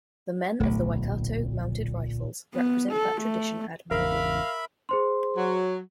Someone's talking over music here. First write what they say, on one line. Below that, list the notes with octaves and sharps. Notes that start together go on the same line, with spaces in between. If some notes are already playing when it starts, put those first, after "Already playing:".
The men of the Waikato Mounted Rifles represent that tradition admirably.
D1 B1 A#2 A3
B3
A4
A3
G#1 E2 C#3 A#4 E5 F5 B5
G#4 C5 C6
F#3